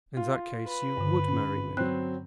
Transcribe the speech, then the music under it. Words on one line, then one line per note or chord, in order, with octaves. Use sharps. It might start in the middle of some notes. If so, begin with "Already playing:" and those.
"In that case you--would marry me?"
F4
B4
G2 D3
C#4
F#3 C4 F#6